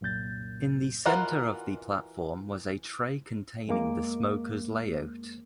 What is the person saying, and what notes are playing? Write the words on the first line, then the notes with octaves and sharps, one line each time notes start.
In the center of the platform was a tray containing the smoker's layout.
C2 F#2 A#2 G6 A6
E3 F4 F#4 A#4 F#5
F2 G#3 A#3 D6